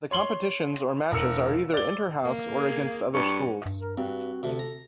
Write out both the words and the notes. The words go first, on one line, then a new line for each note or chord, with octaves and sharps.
The competitions or matches are either 'interhouse' or against other schools.
C#5 C6 F#7 G7
E1 A#4 E6 C#7
D5 G7
A#3
G#4
G2 C#6
G2
A#4
G2 C4 F#4
D2 C3 A4
A#5